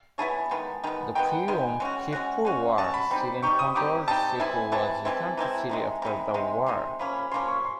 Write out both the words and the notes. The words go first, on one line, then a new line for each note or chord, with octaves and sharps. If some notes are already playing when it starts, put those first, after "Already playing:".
The pre-Yom Kippur War Syrian-controlled sector was returned to Syria after the war.
B3 E4 G#4 C#5 A5
D#3 G#3 B3
D#3 G#3 B3
D#3 G#3 B3 G5
D#3 G#3 B3 G#5
G#3 C#4 F#4
G#3 C#4 F#4
G#3 C#4 F#4
G#3 C#4 F#4 A5
B5
G3 C4 D#4 G4
G3 C4 D#4 G4 C#6
D#6
G3 C4 D#4 G4 D6
G3 C4 D#4 G4 A5
E3 G#3 C4 E4 G#5
E3 G#3 C4 E4 A5
E3 G#3 C4 E4
E3 G#3 C4 E4 A#5
C3 D#3 G#3 A#5
C3 D#3 G#3 B5
C3 D#3 G#3 C6
C3 D#3 G#3 C6
F3 A#3 C#4 B5
B5
F3 A#3 C#4 C6
C#6
C6